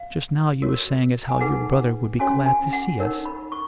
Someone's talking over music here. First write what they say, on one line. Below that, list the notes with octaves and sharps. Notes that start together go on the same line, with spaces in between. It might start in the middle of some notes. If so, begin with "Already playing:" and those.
Just now you was saying as how your brother would be glad to see us.
Already playing: F5
F#4 A#4 C#5
G#5
D#4 G#4 B4 F#5
C#4 F#4 C#5 G#5
G#5
F#5
D#4 A#4 C#5
B5
C#6